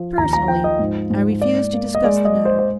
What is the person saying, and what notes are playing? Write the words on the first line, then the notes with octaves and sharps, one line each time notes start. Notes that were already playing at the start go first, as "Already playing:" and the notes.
Personally, I refuse to discuss the matter.
Already playing: F3
D#2 A#5
A#5
F3 G5
D#5
G#2
G#2
A#3 D5
A#3
D#5
G#3 D5
D#5
G#3
C5
C5